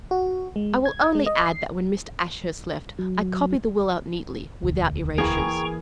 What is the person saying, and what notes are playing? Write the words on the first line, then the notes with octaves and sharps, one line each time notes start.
I will only add that when Mr. Ashurst left, I copied the will out neatly, without erasures.
F#4
G#3
G#6
G#3
D#5
C7
F#3
E1 D2
E3 A#3 G#4 G5 A#5 C#6